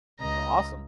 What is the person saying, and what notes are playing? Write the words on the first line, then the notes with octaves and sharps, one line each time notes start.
Oh awesome.
C#2 D#5 A#5